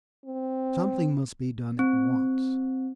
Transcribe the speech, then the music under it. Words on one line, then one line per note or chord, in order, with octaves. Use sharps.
Something must be done at once.
C4
C4